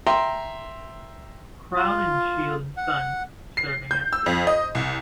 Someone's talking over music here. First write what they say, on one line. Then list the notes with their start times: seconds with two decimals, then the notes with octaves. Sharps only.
Crowninshield and Sons, serving at sea.
0.07 E5 G5 A#5 C6
1.76 F4
2.77 F#5
3.57 C7
3.91 G6
4.13 E6
4.26 F2
4.47 D#5
4.75 C2